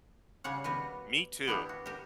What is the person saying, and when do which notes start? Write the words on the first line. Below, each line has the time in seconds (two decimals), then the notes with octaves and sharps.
Me too.
0.44 C#3 G3 C#5 F#5
0.64 B2 G3 F#4 B4
1.48 B3 D4 E4 G4
1.69 F#4
1.86 G4 A#4